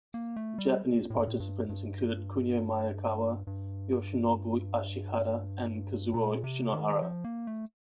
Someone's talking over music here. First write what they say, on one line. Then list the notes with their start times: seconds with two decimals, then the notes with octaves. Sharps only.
Japanese participants included Kunio Maekawa, Yoshinobu Ashihara and Kazuo Shinohara.
0.14 A#3
0.36 A3
0.58 G3
1.10 A2
1.19 G2
1.28 A2
1.40 G2
1.69 G2
3.47 G2
6.14 A#2
6.44 C3
6.73 D#3
7.02 F3
7.24 A#3
7.47 A3